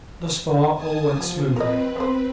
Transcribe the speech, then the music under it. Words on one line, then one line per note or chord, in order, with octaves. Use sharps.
Thus far all went smoothly.
G#5 A5 D#6
F3 G3 B3
C4 A#4 B4 D#5
B3 C5